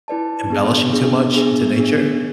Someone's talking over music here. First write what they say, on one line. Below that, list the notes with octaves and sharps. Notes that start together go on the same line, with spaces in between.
embellishing too much into nature?
E4 B4 D5 A5
B3 D4 G#4
B3 D4 G#4
B3 D4 G#4
B3 D4 G#4